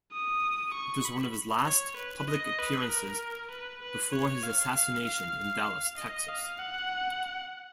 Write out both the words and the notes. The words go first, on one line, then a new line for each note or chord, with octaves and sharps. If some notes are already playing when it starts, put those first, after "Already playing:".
It was one of his last public appearances before his assassination in Dallas, Texas.
D#6
C#6
B5
C#5
B4
D#5
B4
A#4
B4
B4
C#5
F5
F5
F5
D#5
F5
F#5